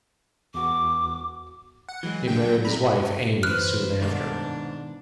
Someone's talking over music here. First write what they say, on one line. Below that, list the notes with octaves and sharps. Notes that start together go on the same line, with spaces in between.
He married his wife, Amy, soon after.
E2 F#4 D6
F#5
E3 F#3 G#3
A#2 D3 G5
F#3
C3 A#5 B5
E3 B4 C5 F6 F#6
C2 G#2 B2 D#3 D4 F5